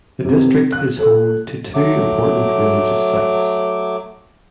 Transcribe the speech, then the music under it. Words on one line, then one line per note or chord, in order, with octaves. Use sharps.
The district is home to two important religious sites.
C3
F#6
A4
F#3 A3 D6